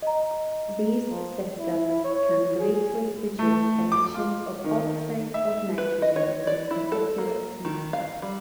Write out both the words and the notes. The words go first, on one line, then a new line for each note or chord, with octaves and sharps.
These systems can greatly reduce emissions of oxides of nitrogen and particulate matter.
D#5 A#5
F3
E4
C#5
G#4
A3
D6
F4
D#3
E5
B4
D#5
C#5
D5
E4
A4
A#3
D#3
F5
G3